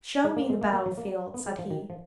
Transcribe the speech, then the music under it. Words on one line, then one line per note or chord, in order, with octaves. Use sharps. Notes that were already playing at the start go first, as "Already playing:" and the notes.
'Show me the battle-field,' said he.
G#3
A#3
G#3
A#3
A#3
F#3
A#3
B3
G#3
F3
D#3
F3